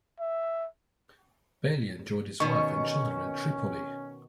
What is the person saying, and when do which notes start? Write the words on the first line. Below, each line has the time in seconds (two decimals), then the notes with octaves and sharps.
Balian joined his wife and children in Tripoli.
0.20 E5
2.40 B2 D#3 C#4 C#6